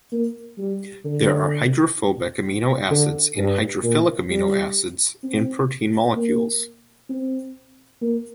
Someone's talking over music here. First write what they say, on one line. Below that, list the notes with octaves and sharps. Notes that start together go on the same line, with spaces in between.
There are hydrophobic amino acids and hydrophilic amino acids in protein molecules.
A#3
G3
D3
D3
G2
A#2
G3
C4
A#3
C4
A#3